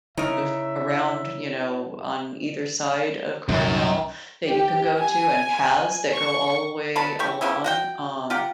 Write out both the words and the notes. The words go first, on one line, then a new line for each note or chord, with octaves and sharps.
bef around, you know, on either side of Carmel that you can go to and paths that go all the way along, um,
C#3 D#4 E4 A#4 C#5 E5
C2 F#2 A#2 D#3
G4
G#5
C#6
F#3 B3 A5 B5
E3 G4 C#6
F3 G3 B3 E4
F#4 F#5 G5
F4 G4 A#4 F#5